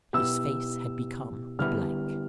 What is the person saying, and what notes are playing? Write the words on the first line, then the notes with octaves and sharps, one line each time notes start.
His face had become a blank.
B2 B3 E4 G4 E6
D3 G3 B3 E4 G4 F6